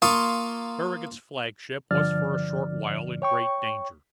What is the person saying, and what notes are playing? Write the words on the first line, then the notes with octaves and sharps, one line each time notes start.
Farragut's flag-ship was for a short while in great danger.
A#3 F4 A5 C6 C#6 D#6
G2 D3 F3 D5 F6 A6
C#5 G5 C#6